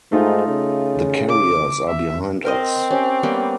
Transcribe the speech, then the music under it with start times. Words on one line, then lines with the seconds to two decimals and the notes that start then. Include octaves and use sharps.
The carriers are behind us.
0.12 G#2 A3 D#4 F4
0.48 C#3
1.28 D6
1.88 E5
2.45 C4 A#4 C5 D#5
2.91 C#4 G4
3.23 G3 A#3 B3